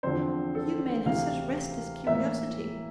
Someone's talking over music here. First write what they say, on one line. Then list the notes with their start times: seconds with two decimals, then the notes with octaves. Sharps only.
You men have such restless curiosity!
0.03 E2 D3 F3 C4 C5
0.55 A4
1.06 D2 C3 E3 A3 C4 F5
2.07 A2 E3 A#3 E5